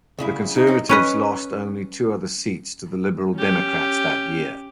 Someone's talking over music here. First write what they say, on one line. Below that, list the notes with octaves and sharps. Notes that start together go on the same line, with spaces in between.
The Conservatives lost only two other seats to the Liberal Democrats that year.
D2 C#3 E4
D#4
C4 C#4
C#4 B4 D#5
C#4 G4